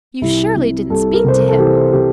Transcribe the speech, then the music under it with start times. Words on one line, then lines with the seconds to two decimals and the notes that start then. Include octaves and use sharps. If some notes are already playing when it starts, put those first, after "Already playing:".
"You surely didn't speak to him?"
0.21 C2 E4
0.56 C3
0.90 C2 A4
1.13 A#4
1.24 C3 C5
1.38 A#4
1.49 A4
1.58 E3 G4
1.93 C3 G4